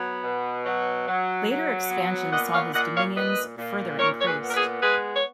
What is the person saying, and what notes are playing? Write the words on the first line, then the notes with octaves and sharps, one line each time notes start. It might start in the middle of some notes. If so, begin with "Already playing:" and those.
Later expansion saw his dominions further increased.
Already playing: F#3 B3
B2
F#3
F#3
F#3
B3
A#2 D#5 F#5
C#5 F5
A#2 D#5 F#5
C#5 F5
A#2 B4 D#5
A#2
A#2 A#4 C#5
C#5
G#4 B4
B3
A#4
G#4 B4
G#3 G#4 B4
C#5